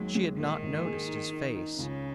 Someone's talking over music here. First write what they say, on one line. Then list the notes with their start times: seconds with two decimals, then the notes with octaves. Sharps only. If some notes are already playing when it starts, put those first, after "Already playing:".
She had not noticed his face.
Already playing: D#2 D#3 F#3 G#3
0.15 G#3
0.38 A#1 D#3
0.62 G#2
0.85 G#4
1.07 D#4
1.32 D#4
1.55 D#4
1.78 C#2 C#3